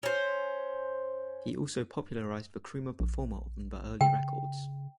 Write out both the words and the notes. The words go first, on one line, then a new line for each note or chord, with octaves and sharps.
He also popularised the Crumar Performer on the early records.
C#4 C5
A#1
C#3 G5